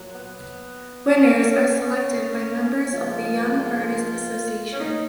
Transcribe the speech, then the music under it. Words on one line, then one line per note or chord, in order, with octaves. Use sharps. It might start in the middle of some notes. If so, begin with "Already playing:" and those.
Winners are selected by members of the Young Artist Association.
Already playing: A#2 F#3
B3
C#4
C#4
G#2 F3 G#3 F4
C#4
D#4